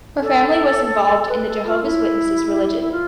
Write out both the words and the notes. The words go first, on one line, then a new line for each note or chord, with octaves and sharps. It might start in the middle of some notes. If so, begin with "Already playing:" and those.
Her family was involved in the Jehovah's Witnesses religion.
A4
B4
A4
F4
E4
E4
F4